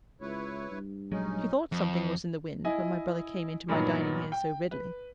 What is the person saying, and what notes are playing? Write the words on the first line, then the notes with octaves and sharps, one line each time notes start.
She thought something was in the wind, when my brother came into my dining here so readily.
C#2 E4 B4 C#5
G2
A#1 F#3 G#3 C#4 D#4
F2
E4 D#5 G#5
G2 A#2 D#3 F#3 B3 D#4
G5
B4